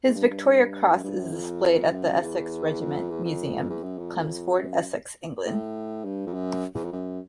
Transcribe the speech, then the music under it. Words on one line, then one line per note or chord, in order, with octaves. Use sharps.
His Victoria Cross is displayed at The Essex Regiment Museum, Chelmsford, Essex, England.
G#2
G2
G2
F2
F#2
G2
F#2
F2
F#2
E2
F2
E2
F2
E2
F#2
F2
F#2
A2
G2
F2
F#2
E2
F2
F#2